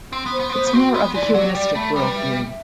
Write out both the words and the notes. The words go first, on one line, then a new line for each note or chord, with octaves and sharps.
It's more of a humanistic world view.
C4 C6
B3
C5
B3
C4
B3 C5
B3
C4 F#4
B3 C6
E3 D5
F#3 G4
G3 D5
A3 B5
G3 B4
E5
E5